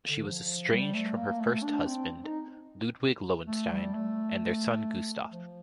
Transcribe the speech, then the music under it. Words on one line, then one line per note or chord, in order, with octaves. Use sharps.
She was estranged from her first husband, Ludwig Lowenstein, and their son Gustaf.
D3
F3
G3
A3
A#3
A3
D4
C4
C4
D#4
A3
G3
A3
F3